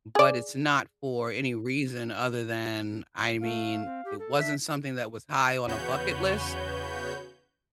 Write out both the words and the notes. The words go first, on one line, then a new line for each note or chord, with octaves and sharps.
but it's not for any reason other than I mean, it wasn't something that was high on a bucket list,
G#4 D5
A3 F5
C4
G4
A4
D4 E5
E2 C#3 F#4 B4 C#5 G6